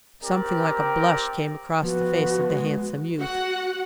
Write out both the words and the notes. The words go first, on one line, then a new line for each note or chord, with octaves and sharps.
Something like a blush came across the face of the handsome youth.
C4 G4 A#4 D5
F3 B3 F#4
G#3
F#4 F#5